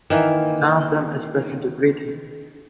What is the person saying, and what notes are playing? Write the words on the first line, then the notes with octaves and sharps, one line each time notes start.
None of them is present to greet him.
D#3 E3 A#3